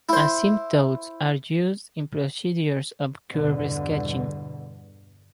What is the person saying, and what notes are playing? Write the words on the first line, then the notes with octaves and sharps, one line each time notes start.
Asymptotes are used in procedures of curve sketching.
E4 C5
E2 G2 B2 D3